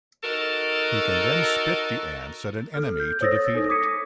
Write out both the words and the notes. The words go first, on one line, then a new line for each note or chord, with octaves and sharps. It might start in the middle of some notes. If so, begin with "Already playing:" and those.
He can then spit the ants at an enemy to defeat it.
D#4 F#4 A4 A#4
A4 F6
G6
C5 C#5 D#6 E6 A6 A#6
D#4 A4 D#6 A#6
D6 D#6 G#6 B6 C#7 D#7